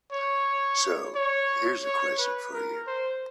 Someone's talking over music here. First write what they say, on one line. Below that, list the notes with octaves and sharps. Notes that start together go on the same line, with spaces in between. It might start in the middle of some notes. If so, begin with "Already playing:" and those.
So here’s a question for you.
C#5
C#5
C#5
B4
A#4
C5